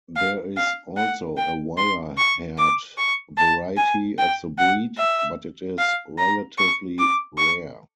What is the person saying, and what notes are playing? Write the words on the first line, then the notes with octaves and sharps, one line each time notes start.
There is also a wire-haired variety of the breed, but it is relatively rare.
F5
F5
F#5
G5
C6
C#6
D6
C#6
A5
G#5
G5
F#5
E5
F5
A#5
C#6
D6
C#6